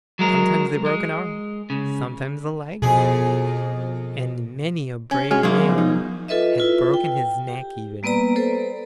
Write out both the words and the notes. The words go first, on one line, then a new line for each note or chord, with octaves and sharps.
Sometimes they broke an arm, sometimes a leg, and many a brave man had broken his neck even.
F#3 G#3 A#4
G#3
C#3
F2 B2 G#4
C#4
G#3 C#4 F#4 F6
F#2 D#3 F#3 A#3 G#4 A#4
F3 B3
D#4
F4 A4 B4 D#5 E5
E4 F4 B4
G5
G4
G3 A#3 B3 B4 D5 A#5
A4 B4 C5 D5